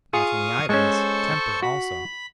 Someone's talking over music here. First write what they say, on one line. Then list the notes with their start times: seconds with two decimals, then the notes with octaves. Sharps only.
Not only idleness, temper also.
0.13 F4 G#4 F5 C#6 D#6
0.69 G#3 C#4 A4 C5 C#6
1.63 F#4 B5